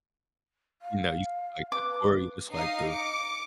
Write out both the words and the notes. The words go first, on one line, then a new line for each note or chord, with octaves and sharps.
you know, you said, like, the aquarium, it's, like, the
F5
B4 D6
D#4 F5 D#6 C7
D6 C#7